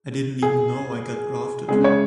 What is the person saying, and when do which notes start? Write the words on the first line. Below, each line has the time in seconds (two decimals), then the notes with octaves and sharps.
I didn't even know I got drafted.
0.42 G#4
1.68 C#3 G#3 C#4 G#4
1.84 C#5